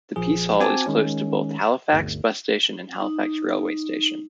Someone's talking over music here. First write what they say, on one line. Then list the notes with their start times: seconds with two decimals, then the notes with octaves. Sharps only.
The Piece Hall is close to both Halifax bus station and Halifax railway station.
0.16 A#1 F3 G#4
0.60 C4 F#4 G#5 A5 D6
0.86 D#3 G#3 C#4
1.93 G1 D2
3.01 D#4